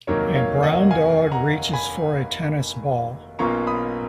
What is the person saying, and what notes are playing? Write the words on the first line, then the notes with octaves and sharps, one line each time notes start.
A brown dog reaches for a tennis ball.
F1 D#2 D#3 F#3 A#3 A#4 C#5
C#5 F5
D#5 F#5
F5 G#5
F#5 A#5
G#5 B5
B1 B2 A#3 C#4 F4 A#5 C#6
B5 D#6